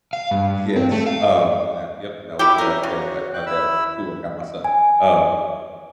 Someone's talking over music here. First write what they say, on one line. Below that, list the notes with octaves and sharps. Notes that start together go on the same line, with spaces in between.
Yes, um, then that yep, and that was it after that, he's like my dad was like, "Cool, I got my son," um
F5
G2
C4
A3
F5
E4 F#4 G4 E5
C#4 A#4
C#3 F#4
G5 F#6
E4 B5 E6
G#5